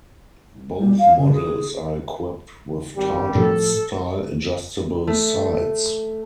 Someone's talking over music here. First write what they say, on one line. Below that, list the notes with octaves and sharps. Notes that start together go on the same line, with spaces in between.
Both models are equipped with target style adjustable sights.
G3
F5
C#3
G#4
G#1 G3 G4
A2 F3 A4
A3